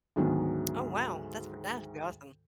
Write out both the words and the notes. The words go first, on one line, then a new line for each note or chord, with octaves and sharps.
Oh, wow. That's for that's really awesome.
D2 G#2 D#3 F#3 G#3 B3